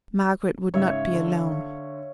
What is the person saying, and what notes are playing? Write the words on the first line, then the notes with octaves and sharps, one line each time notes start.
Margaret would not be alone.
G#2 C#3 C#5 E5 F5
D3